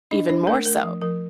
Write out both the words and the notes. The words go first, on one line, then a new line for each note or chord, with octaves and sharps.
Even more so.
D4 D#5
D4 C5
A3 A#4
A3 A#4
F3
F3 A#4